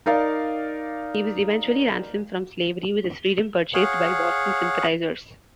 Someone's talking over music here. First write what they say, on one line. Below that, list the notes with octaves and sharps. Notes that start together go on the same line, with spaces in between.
He was eventually ransomed from slavery, with his freedom purchased by Boston sympathizers.
D#4 A#4 D5 F5
G#4 C#5 F5 F#5